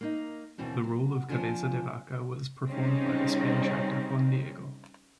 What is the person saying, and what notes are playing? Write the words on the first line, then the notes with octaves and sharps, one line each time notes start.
The role of Cabeza de Vaca was performed by the Spanish actor Juan Diego.
A#3 D#4
D#2 B2 E3 C4 D4
F#3
F2 F3 D4 F4 G#5
C#3 G3 C4 C#4 D#4